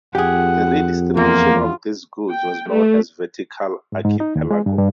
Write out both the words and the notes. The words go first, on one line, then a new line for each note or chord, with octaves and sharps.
The redistribution of these goods was known as vertical archipelago.
F2 G4 G#4 F#5
E2 A#3 F4
G5
A3
G#2
G#2
D#4
D#2
G#3
G2
G2